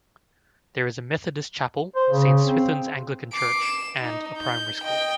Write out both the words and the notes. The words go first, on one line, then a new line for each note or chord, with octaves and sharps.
There is a Methodist chapel, Saint Swithun's Anglican church, and a primary school.
C5
C#3
C4
D6 C7
E7
D#4
G6
D#5 G5